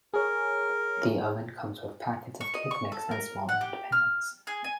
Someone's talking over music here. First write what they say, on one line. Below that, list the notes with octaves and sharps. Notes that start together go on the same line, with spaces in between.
The oven comes with packets of cake mix and small round pans.
G#4 A#4 C#5
C#6
D#5
C#6
A4
A#4
F#5
G4
F6
G#4
G#5